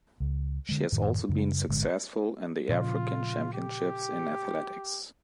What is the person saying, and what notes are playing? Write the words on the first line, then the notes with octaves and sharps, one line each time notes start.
She has also been successful in the African Championships in Athletics.
C#2
D3 G#3
F#2 A2 D#3
F#2 C#3 G3
G1 A2 D3 G#3
A#2 C#3 F3 F4
G4